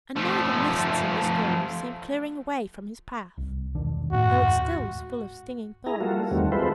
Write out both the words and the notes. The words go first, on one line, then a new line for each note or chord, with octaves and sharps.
And now the mists and the storms seemed clearing away from his path, though it still was full of stinging thorns.
F3 A3
C2
E1 D#3 D4
F#2 A2 F#4
G#1 D#2
E4 G#4 A#5
G3 A#3 F4 F#4 A4
E2 D#3 G3 A3 C4 F#4
G#3 E4 F4 A4 B4 C5